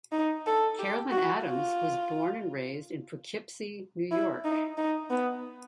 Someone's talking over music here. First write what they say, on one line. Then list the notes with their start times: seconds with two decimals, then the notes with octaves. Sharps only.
Carolyn Adams was born and raised in Poughkeepsie, New York.
0.12 D#4
0.47 A4
0.79 G4
1.12 F#4
1.45 F4
4.11 E4
4.45 D#4
4.78 D#4
5.11 B3